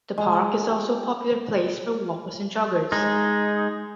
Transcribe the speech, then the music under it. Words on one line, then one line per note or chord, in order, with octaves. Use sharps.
The park is also a popular place for walkers and joggers.
G#3
G4
G#3 D#4